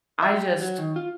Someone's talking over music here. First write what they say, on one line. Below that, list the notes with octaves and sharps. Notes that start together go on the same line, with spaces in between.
I just
E5
G4
F#3
D#3
F4